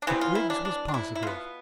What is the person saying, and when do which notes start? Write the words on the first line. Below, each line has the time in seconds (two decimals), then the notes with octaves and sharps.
But Griggs was positive.
0.02 D4
0.07 E3 G3 B3 C4
0.21 F4
0.35 E4
0.50 D4
0.65 D4
0.88 D4
0.94 E4
1.15 E4
1.22 B2 B3 F4